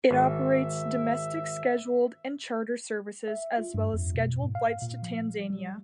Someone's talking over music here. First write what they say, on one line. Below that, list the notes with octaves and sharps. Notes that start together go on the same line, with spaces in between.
It operates domestic scheduled and charter services, as well as scheduled flights to Tanzania.
G#1 E5
E5
F4
G2
F2
B2
G#2
F5
A#2
F3
G3